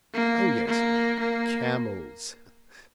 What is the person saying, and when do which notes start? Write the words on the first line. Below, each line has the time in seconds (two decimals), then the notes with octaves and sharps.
Oh yes, camels.
0.14 A#3
0.67 A#3
1.19 A#3